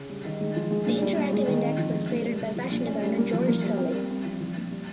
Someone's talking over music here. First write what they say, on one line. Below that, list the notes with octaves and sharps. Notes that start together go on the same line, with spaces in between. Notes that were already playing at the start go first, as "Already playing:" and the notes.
The interactive index was created by fashion designer George Sully.
Already playing: C#3
G3
D#3
G#3
F3
G#3
A#2
G3
A#2
G#3
D#3
C4
F3
G#3
A#2
G3
C#3
F3
A#2
C#4
G3
A#3
F3
A#3
G3
C4
G3
C4
F3
F3
A#2
G3